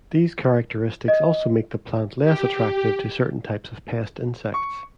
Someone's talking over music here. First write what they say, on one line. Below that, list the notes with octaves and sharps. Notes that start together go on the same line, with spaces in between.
These characteristics also make the plant less attractive to certain types of pest insects.
D#5
G4
C#6